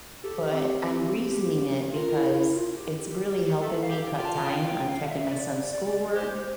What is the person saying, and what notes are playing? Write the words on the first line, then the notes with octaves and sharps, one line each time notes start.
but I'm reasoning it because it's really helping me cut time on checking my son's schoolwork.
G4 A4
C4
C4
F4 A#4
E4
E4
F4
G4
A4 E5
F5
G4
G5
F4 G5
A5
G5
G5
F5
E5
D5
D5
G4 C5